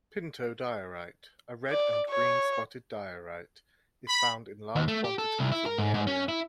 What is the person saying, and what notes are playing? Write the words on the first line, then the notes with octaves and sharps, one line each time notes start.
Pinto diorite, a red-and-green spotted diorite, is found in large quantities in the area.
D5
C#5
B5
D#2
A3
G4
A4
C2
E4
A#4
G#2
G#2
C#4
E4